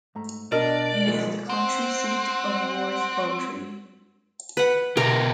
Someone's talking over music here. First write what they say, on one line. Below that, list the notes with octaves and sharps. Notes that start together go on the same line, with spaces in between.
It is the county seat of Worth County.
G#2 A3 A#5
B2 D4 A#4 D5 D#5
D#3 F3 G#3
C4 F#5
B4 F#5
B2 G4 A#4